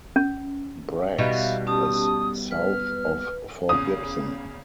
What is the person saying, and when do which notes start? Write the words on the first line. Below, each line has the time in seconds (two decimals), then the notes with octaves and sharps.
Braggs is south of Fort Gibson.
0.16 C#4
1.18 B2 G3 B3 D#4 E5 F5
1.67 C#4 G4 A5 D#6
2.51 B4 F6
3.69 E2 C#3 D#6